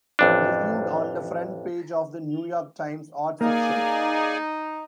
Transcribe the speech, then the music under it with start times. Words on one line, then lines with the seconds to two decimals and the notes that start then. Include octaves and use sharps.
Reviewed on the front page of The New York Times Art section.
0.19 A1 F2 D4
3.41 A#3 D#4 G#4 D5 F5 G#5